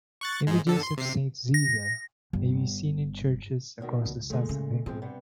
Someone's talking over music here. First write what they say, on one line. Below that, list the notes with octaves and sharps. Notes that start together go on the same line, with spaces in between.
Images of Saint Zita may be seen in churches across the south of England.
C#6 F#6 A6
G#2 G#3
D3 A4
C6
C3 C7
A#6
G1
E2 B2 D#3
C#2
A#2 D3 G#3 A3
C#3
B2 F3 G#3 C4
G2 C3 B3